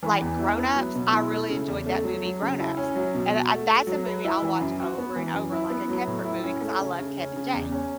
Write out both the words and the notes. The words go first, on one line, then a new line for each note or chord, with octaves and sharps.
Like, Grown Ups, I really enjoyed that movie, Grown Ups. And I that's a movie I'll watch over and over like a comfort movie 'cause I love Kevin James.
E3
E2
E4
B3
F#3
B2
E4
A3
C#3
E2
A3
F#3
F#3
C#3
E4
C#4
F#3
B2
F#4
A3
A3
F#3
B4
E4
E3
F#2
F#4
B3
E3
F#2
E4
B3
F#3
A2
E4
C#4
A3
C#3
C#3
C#4
C#3
E2
C#4